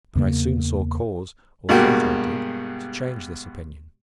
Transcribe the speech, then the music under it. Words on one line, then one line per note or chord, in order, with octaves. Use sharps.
But I soon saw cause--or thought I did--to change this opinion.
E2 C#3 A#3
G2 B2 G#3 A#3 F#4 G4